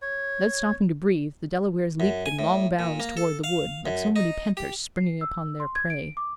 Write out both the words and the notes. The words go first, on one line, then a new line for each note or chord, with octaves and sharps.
Without stopping to breathe, the Delawares leaped in long bounds toward the wood, like so many panthers springing upon their prey.
C#5
F#2
G#5
A2
A#2
A#3
A4
F5
F#2
D#4
G4
C7
E6
C6
G#6
D7
D6